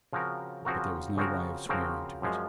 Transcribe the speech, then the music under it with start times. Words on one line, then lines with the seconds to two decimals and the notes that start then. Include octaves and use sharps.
But there was no way of swearing to it.
0.13 C#3 F3 C4 F#4 A#4
0.65 C#3 F3 C4 F#4 A#4
1.17 C#3 F3 C4 F#4 A#4
1.69 C#3 F3 C4 F#4 A#4
2.22 F#2 F3 G#3